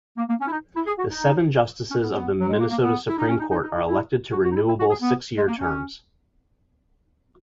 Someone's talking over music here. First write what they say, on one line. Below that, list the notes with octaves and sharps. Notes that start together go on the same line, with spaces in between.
The seven justices of the Minnesota Supreme Court are elected to renewable six-year terms.
A#3
A#3
C#4
E4
D#4
E4
G#4
F#4
D#4
C#4
B3
B3
F#3
G#3
A#3
A#3
B3
E4
D#4
C#4
D#4
D#4
D#4
E4
E4
F#4
F#4
D#4
E4
E4
F#4
G#4
B3
G#3
A#3
C#4